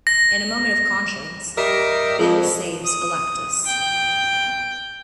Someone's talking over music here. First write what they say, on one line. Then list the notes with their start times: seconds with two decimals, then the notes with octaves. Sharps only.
In a moment of conscience, Bill saves Galactus.
0.07 A#6
1.57 G3 G4 A#4 D#5 E5
2.19 F2
2.83 D#6
3.66 G5